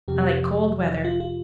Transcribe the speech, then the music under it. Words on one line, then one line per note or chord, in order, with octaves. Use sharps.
I like cold weather.
F2 C3 F3 G4
F4
F4